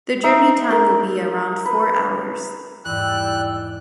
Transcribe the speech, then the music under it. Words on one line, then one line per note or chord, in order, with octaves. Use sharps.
The journey time will be around four hours.
D#4 E5
A#4
B4
E2 G#2 G3 D5 G5 E6 F#6